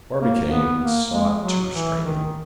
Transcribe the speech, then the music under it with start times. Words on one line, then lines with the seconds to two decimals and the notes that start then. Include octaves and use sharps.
Barbicane sought to restrain them.
0.21 A#3
0.51 B3
0.82 A#3
1.12 G#3
1.41 F#3
1.72 E3
2.02 D#3